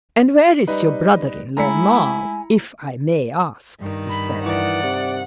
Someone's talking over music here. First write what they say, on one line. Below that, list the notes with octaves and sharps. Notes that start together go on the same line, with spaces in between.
"And where is your brother-in-law now, if I may ask?" he said.
G3 D#4 B4
G#3 A3 E4 G#5 A#5 B6 C#7
G2 D#3
B5
E3 D5 F#5
C3